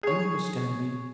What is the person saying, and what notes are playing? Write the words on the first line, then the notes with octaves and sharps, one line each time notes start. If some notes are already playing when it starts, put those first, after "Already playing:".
You understand me?
G#4 C#5